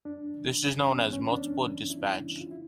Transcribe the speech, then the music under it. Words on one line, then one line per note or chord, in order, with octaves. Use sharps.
This is known as "multiple dispatch".
F#2 D4
C#3 E3
F#2 C#4
C#4
C#3 E3 B3
C#4
F#2 D4
C#3 E3
F#2 E4
C#3 E3
F4
E4